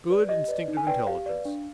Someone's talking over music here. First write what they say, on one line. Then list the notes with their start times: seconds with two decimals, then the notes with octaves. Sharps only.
Good instinctive intelligence.
0.09 B4 D5
0.28 G4 D#5
0.48 B4 D5
0.68 D#4
0.77 G#5
0.87 B4 D5 G5
1.07 G4 F5
1.26 B4 D5
1.45 D4